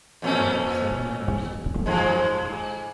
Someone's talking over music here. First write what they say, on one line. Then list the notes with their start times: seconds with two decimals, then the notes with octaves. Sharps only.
There are seven members of the board of directors.
0.22 F2 A#2 C#4
1.86 G#2 F3 G#3